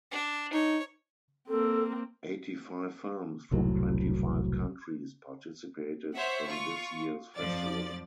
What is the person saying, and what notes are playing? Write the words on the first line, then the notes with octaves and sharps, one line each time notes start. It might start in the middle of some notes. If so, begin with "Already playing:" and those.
Eighty five films from twenty five countries participated in this year’s festival.
D4
D#4 C#5
A#3 C4 A4
E1 C2 A2 F#3
C5 C#5 E5 F#5
F4 C#6
F2 F3 D5 A6